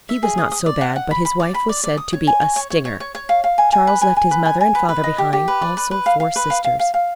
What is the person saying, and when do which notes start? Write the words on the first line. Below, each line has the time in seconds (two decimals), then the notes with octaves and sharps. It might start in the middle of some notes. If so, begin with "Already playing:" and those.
"He was not so bad, but his wife was said to be a 'stinger.'" Charles left his mother and father behind, also four sisters.
0.09 E5
0.23 G#4
0.38 D#6
0.52 D#6
0.66 D5
0.81 F#5
0.96 F#5
1.11 B5
1.25 B5
1.40 D5
1.54 B5
1.69 D5
1.84 D5
1.97 D#6
2.13 C#5
2.27 G#5
2.41 C#5
2.56 C#5
2.70 C#5
2.85 C#5
3.00 C#5
3.15 C#5
3.29 F5
3.44 F5
3.58 G#5
3.72 G#5
3.87 B4
4.01 G#5
4.16 G#5
4.31 B4
4.45 G#5
4.61 G#5
4.75 B4
4.89 B4
5.04 D#5
5.18 G4
5.33 G4
5.48 B4
5.62 D5
5.77 B4
5.91 B4
6.06 F5
6.20 F5
6.36 B4
6.50 F5
6.64 F5
6.79 F5
6.94 F5